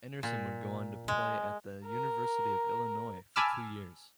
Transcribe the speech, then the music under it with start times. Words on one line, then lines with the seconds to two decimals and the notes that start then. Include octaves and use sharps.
Anderson would go on to play at the University of Illinois for two years.
0.23 A#2
1.08 G#3
1.86 A#4
3.36 G#5 A5 B5 D6 E6 F6